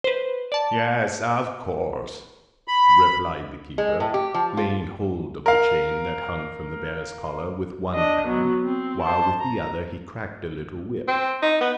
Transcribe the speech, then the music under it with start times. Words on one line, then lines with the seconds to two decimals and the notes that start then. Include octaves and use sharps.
"Yes, of course," replied the Keeper, laying hold of the chain, that hung from the Bear's collar, with one hand, while with the other he cracked a little whip.
0.04 B4 C5
0.52 D5 A5
2.68 B5
3.78 G#3
4.00 A2
4.14 G4
4.34 F3
4.57 F4
5.46 A#4 F5
7.94 D4 D#5
8.27 F#3 B3
8.64 C4
9.02 C5 A5
9.39 A#5
11.08 C4
11.42 D#4
11.61 B3